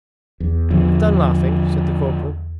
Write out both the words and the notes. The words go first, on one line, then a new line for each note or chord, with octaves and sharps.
'Have done laughing!' said the corporal.
E2
D3 F3